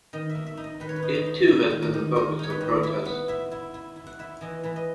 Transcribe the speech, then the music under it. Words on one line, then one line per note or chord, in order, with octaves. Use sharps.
It, too, has been the focus of protests.
D#3 D#5
E5
A#3
E5
D#4
D#5
D#3 B4
C#5
B4
D#4
D#5
D#4
A#3
D#3
A#4
D#3
D#3 A#4
D#4 C#5
B4
D#3
E4 E5
B3 F#5
E4 E5
E4
E4
E4
F#5
E4 E5
E3 D#5
E3 B4
D#5